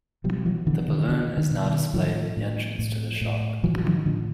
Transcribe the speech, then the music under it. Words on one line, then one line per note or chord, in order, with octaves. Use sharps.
The balloon is now displayed in the entrance to the shop.
B2 F3 G3
E3 F#3
B2 D3 E3
D#3
B2 D3 E3
D#3
B2
D#3
A2 D#3 F3
A2
A2
A2
A2 E3 F#3
F#3
D#3 F3
A2 D3